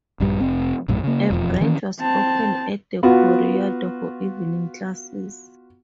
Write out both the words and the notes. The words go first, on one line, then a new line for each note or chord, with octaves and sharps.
A branch was opened at The Corridor for evening classes.
A#1 G2 G3
F1 C4
A#1 F#2 A2
C#3 A#3
E1 F2 F3
D#3 E3 C#4
C4 A5
B3 F4 F#4